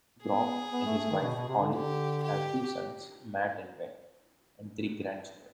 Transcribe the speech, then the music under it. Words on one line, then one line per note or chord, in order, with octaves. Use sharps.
Grobe and his wife Holly have two sons, Matt and Ben, and three grandchildren.
B3 G#4
B3
A3
A3
D#3
B2
B2
C3
D3
D3 G4
G4